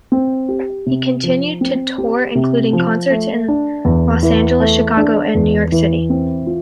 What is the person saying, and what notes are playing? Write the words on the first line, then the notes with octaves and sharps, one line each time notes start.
He continued to tour including concerts in Los Angeles, Chicago and New York City.
C4
G4
C3
F3
C4
G4
C3
F3
A3
D4
E2
E3
A3
D4
E2
E3
C4
F4